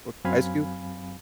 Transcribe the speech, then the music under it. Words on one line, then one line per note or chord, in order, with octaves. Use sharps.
with Ice Cube?
F#2 F#3 C4 F5 G#5 B5